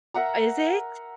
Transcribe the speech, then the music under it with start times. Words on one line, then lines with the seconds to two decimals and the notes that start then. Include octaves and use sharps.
Is it?
0.14 A#4 E5 F#5 A#5